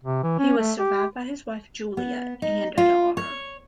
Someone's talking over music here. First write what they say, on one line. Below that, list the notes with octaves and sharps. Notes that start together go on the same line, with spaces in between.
He was survived by his wife, Julia, and a daughter.
C3
E3
C#4
A3
G4
B3
D#4
F4
C#5